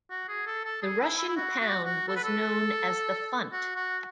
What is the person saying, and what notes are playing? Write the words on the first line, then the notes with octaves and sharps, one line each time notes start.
The Russian pound was known as the funt.
F#4
G#4
A4
A4
G#4
E4
E4
E4
F#4
F#4
F#4
A4
B4
A4
F#4
F#4